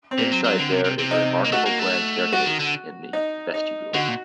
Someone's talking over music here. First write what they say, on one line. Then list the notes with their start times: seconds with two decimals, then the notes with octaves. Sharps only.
Inside there is a remarkable grand staircase in the vestibule.
0.11 C4
0.18 A#2
0.32 F#3
0.44 F#3
0.58 D3
0.72 C3
0.84 C3
0.98 C3
1.11 D#4
1.45 A#3
1.52 A3 F#4
1.66 A#3
1.79 A3
2.32 G3 F#4
2.46 D#3
2.59 D3
3.13 D#4
3.54 D#4
3.94 D3 F#4
4.08 A#2